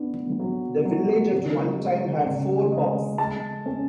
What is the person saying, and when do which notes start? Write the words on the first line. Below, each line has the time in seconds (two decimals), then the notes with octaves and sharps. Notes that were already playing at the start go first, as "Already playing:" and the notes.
The village at one time had four pubs.
Already playing: B3 D4
0.40 F#3
0.85 F#3
1.32 C#3
1.79 G#3
2.25 C#3
2.72 G#3
3.18 G#3 A5
3.66 C#4